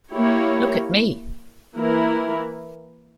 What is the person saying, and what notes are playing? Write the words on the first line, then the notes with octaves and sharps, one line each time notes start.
Look at me!
A#3 E4 G4 C#5
E3 A#3 E4 A#4